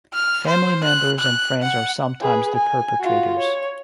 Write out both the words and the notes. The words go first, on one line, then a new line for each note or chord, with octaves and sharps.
Family members and friends are sometimes the perpetrators.
F6
C5
F#6
F#6
F#5
G#4 B4
G#5
F4 F#4
C#5